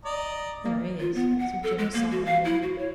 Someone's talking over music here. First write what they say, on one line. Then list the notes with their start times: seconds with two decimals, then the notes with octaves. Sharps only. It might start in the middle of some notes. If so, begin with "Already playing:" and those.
"There is," said Jim solemnly.
0.05 D5 D#5 A#5
0.65 A#3
1.00 F4
1.15 B3
1.39 F#5
1.63 A4
1.78 G#3
1.94 A#3
2.12 F#4
2.25 F5
2.45 E4
2.62 F#4
2.78 C#5